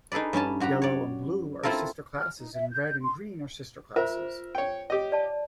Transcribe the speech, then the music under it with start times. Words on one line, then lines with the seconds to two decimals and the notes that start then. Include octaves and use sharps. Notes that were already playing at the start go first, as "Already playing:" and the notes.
Yellow and Blue are Sister Classes and Red and Green are Sister Classes.
0.12 D#4 G#4 A4 B4 D5
0.33 G2 C#4 G#5 A5
0.60 F#2 F#4 G4 A#5
0.82 C#5 D5
1.63 C4 E4 F4 A4 A#4
2.14 F6
2.37 D#4
2.54 E5
2.71 G6
3.01 C6
3.96 F4 A#4 C5 E5
4.55 C#5 G5
4.90 G4 C#5 D#5
5.12 D5 A5